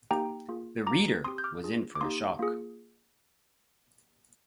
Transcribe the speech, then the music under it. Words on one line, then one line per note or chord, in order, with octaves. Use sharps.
The reader was in for a shock.
A#3 D#4 G4 G5 A#5
A#3 F4 G#4
A#3 D4 F4 A#5 D6
C4 G4 C6 D#6
G6
D6 F6
D4 F4 G#4
D6
A#3 D#4 G4 C6 D#6
A#3 F4 G#4